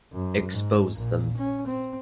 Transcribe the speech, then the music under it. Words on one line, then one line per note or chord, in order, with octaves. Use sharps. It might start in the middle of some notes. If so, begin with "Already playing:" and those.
Expose them.
F#2
G#2
A#1 A#2
C#4
C4